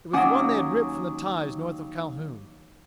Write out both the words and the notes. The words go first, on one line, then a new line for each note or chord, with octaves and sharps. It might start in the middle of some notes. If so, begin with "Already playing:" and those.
It was the one they had ripped from the ties north of Calhoun.
D#2 F#3 C#4 F#5 G#5 D6 D#6